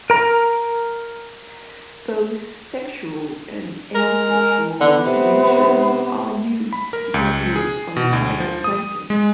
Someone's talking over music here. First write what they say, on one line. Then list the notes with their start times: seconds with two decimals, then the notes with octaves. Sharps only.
Both sexual and asexual reproduction are used depending on the type of plankton.
0.10 A#4 A#5
3.95 G#3 A#4
4.81 D3 B3
5.06 C3
6.73 B5
6.93 A#4
7.14 C#2
7.56 G#4
7.96 B2
8.13 D2
8.40 F3
8.64 D#6
9.10 G#3